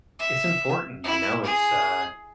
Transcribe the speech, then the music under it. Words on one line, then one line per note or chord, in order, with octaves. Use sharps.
it's important, you know, it's, uh
E5
E4
G#4